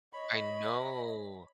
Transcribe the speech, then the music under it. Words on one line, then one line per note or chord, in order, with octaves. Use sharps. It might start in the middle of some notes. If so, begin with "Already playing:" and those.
I know.
C#5 D#5 B5